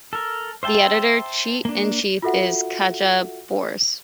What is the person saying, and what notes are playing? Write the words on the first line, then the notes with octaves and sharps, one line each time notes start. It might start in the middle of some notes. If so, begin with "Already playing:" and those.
The Editor in Chief is Katja Brose.
A4 A#4
C5 E5 G5 A5
A#3 D4
F4 F#4 A4 E5 F#5